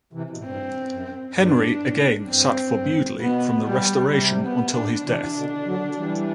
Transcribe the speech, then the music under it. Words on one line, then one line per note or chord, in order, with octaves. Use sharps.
Henry again sat for Bewdley from the Restoration until his death.
C3 E3
B2
A2
G2 C4
F#2
G2 D4
A2
G2 C4
G2
B2 B3
G3
C3 G3
B3
D4
C3 E3 D4
B2 D3
D3 F#3
E3 G3